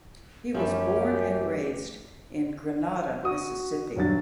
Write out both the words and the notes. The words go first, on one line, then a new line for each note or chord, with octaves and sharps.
He was born and raised in Grenada, Mississippi.
F#2 F3 G3 A3 C#4 G4
F#4 D#6
D#1 F#3 D4 A6